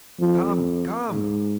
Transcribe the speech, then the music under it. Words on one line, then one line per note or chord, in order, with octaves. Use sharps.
"Come, come!"
F2 F3
G#2